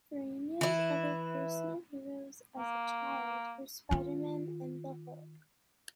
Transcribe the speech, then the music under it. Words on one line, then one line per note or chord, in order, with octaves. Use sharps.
Ferrigno's other personal heroes as a child were Spider-Man and the Hulk.
E3 E4
A#3
D#3 F4